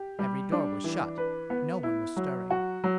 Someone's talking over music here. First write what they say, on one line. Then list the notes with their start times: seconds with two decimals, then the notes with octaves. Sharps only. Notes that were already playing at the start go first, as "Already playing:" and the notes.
Every door was shut, no one was stirring.
Already playing: G4
0.19 G3
0.52 D4
0.84 E3
1.18 B4
1.50 B3
1.83 E4
2.16 F#3
2.50 F#4
2.84 F#3